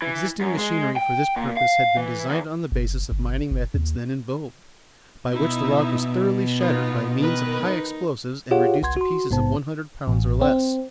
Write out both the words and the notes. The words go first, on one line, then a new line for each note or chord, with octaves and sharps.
Existing machinery for this purpose had been designed on the basis of mining methods then in vogue, by which the rock was thoroughly shattered by means of high explosives and reduced to pieces of one hundred pounds or less.
E3
F#2
G#3
G5
A#2
F5
E3
E2
F#1
G1
F#1
D#2
B2 D#4 E4 E5
B3 D#4 F4
D#3 A#4 B4
D#4
F4 G4 G#4 C#5 F5 F#5
G1 C2 F#5 C6 G#6
F#4 C6
A#1 G#2 C3 B3 C5 A5
A1
C4